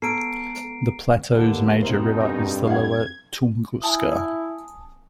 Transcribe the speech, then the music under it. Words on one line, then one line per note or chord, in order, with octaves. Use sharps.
The plateau's major river is the Lower Tunguska.
B3 A4 A#5 C7 D7
D#2 D3 B4
F2 B2 D#4 E4 A#4 C5
G2 D#3 G#4
F5 F#5 G#6
E4 G#5 A5 D#6